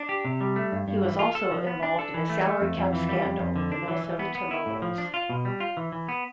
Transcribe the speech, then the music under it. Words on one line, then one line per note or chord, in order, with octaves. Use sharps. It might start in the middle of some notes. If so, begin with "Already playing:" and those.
He was also involved in a salary cap scandal with the Minnesota Timberwolves.
Already playing: D4
G4
C3
G3
A3
G2
G2
E3
F4
A4
F3
B3
D4
A4
E3
A3
A3
F2
F2
E3
G3
F2
F2
D3
D4
E3
E3
B3
B3
E4
A2
F3
D4
F4
B2
G3
F4
E3
E3
B3